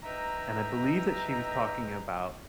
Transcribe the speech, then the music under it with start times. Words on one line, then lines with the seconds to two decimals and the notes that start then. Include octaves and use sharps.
and I believe that she was talking about
0.03 D#4 B4 D#5 E5 G5 A#5